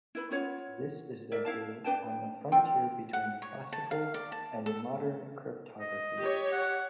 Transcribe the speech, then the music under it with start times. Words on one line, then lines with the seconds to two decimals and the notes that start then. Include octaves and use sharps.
This is therefore on the frontier between classical and modern cryptography.
0.15 E4 B4 B5
0.31 C#4 F4 C#5 F#5
1.32 A#4 D5 E5
1.45 E4 F5 A5
1.84 D4 B4 G5 A5
2.52 D4 E4 F4 G5
3.13 F#5
3.42 C#5
3.73 A5
3.91 F5
4.14 D5
4.32 A5
4.66 A4
5.80 D#5
6.18 G4 C#5
6.52 F#5